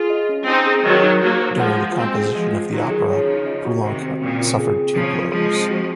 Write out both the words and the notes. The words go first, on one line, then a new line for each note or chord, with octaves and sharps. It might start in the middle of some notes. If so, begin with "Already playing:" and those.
During the composition of the opera, Poulenc suffered two blows.
Already playing: F4 G#4
D#5
C#4
C4 D#4 G#5
G#4
D#3 F#3 D#5
D#4
F#3 A#3 F#4
C5
F3 G#3 F#5
F#4
G#3 C4 G#5
G#4
F3 G#3 D#5
F4
D#3 F#3 D#4
G#4
C#3 F3 C#5
D#4
D#5
F#4
C3 D#3 C5
C4
A#2 C#3 C4
F4
G#4
C4
C#3 F3 C4
F4
F3 G#3 G#4
C4
F#4